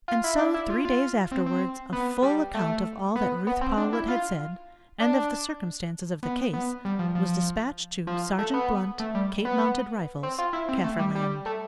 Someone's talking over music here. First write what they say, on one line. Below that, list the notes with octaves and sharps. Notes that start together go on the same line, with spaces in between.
And so three days afterwards a full account of all that Ruth Powlett had said, and of the circumstances of the case, was despatched to "Sergeant Blunt, Cape Mounted Rifles, Kaffirland."
F4
E4
D4
E4
F4
F4
C4
C4
B3
G3
A3
B3
B3
C4
D4
E4
F4
D4
B3
B3
G3
F3
F3
F3
A3
B3
A3
G3
B3
C4
F4
E4
C4
A3
G3
G3
A3